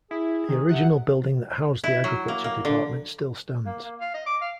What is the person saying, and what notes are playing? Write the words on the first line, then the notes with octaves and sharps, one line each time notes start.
The original building that housed the agriculture department still stands.
E4 G#4
D#3
C3 F#5
E4
F#3
A#3
A#3
D3
A#3
A#3
F5
D#5
D6
F5